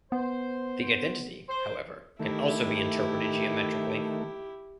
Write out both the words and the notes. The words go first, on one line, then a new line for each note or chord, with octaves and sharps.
The identity however can also be interpreted geometrically.
B3 C5
C5
D#3 A3 E4 G4